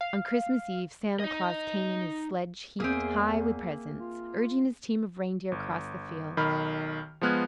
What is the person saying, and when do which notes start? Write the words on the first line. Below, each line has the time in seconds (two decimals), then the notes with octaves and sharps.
On Christmas Eve Santa Claus came in his sledge heaped high with presents, urging his team of reindeer across the field.
0.01 F5
1.20 D#4 D#5
2.80 E2 A#3 C4 G#4 E5
3.98 F4
5.52 G1
6.37 B1 D#3 B5 F6
7.21 F3 G#3 B3 F6 F#6 G#6